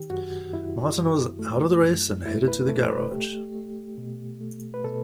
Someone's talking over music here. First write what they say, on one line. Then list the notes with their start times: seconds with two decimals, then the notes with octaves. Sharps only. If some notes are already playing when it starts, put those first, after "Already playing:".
Martin was out of the race and headed to the garage.
Already playing: D#3 G4
0.10 F#2 F#4
0.53 F#2 E4
0.96 F#2
1.39 A3
1.83 F#2
2.26 A3 E4
2.48 B4
2.69 A3 A4
2.85 C5
2.91 B4
3.11 A3 G4
3.55 A3
3.98 B2
4.41 A3
4.74 B4
4.84 B2 A4